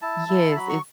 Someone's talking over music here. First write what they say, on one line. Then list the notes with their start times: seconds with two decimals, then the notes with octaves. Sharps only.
Yes, it's
0.02 E4 A5
0.28 E4
0.51 A5
0.55 F#3 B5
0.69 C#6